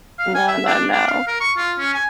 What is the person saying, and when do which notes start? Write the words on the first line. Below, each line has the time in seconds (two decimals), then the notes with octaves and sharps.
No, no, no.
0.19 F5
0.35 G#5
0.48 E5
0.66 D4
0.92 D4
1.08 F5
1.27 A#4
1.41 C#6
1.57 F4
1.79 C#4
1.94 G#5